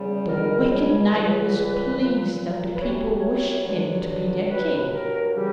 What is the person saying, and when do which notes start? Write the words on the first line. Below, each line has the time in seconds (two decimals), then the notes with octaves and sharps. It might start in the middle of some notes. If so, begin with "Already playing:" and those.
The wicked knight was pleased that the people wished him to be their king.
Already playing: E2 C#3 G3
0.27 C#2 B2 G3 A#4
0.69 C#5
1.11 C#2 C#3 E3 G3 B4
1.95 A#2 F#3
2.76 B4
2.80 F#2 E3 G3 C#5
3.64 G2 D3 F#3
4.49 G2 F#3 B4
4.91 A#4
5.33 C#3 E3 G3 G4